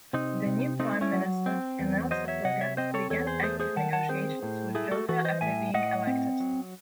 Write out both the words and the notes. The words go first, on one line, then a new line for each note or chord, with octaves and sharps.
The new prime minister Enele Sopoaga began active negotiations with Georgia after being elected.
C3 C4 D#4
C3
A3 C4 D#4
C#4 E4
F#3
C4
E2
F#3 C5 D#5
C#5 E5
C3 D#5 F#5
C#5 E5
C4 C5 D#5
A4 C#5
E2 A4 C#5
G#4 C5
A3 G#4 C5
G#4 C5
D#3 F#5 A5
F#5 A5
C4 G#4 C5
A2
A3 E4 G#4
F#4 A4
E3 F#4 A4
C5 D#5
A2 E5 G#5
A2 D#5 F#5
C4
F#3